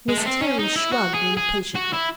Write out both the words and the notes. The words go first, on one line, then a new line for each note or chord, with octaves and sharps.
Miss Terry shrugged impatiently.
G#3
A3
C4
C#4
D#4
E4
F#4
G#4
G#4
F#4
E4